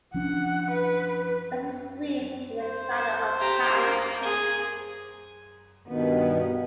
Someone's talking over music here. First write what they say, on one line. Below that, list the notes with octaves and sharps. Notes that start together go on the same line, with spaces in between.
There was a scream and a clatter of pans.
F3 C#4 D4 F#5
B4
C5
G4 A#5
A#3
G#4
G2 B2 D#3 B3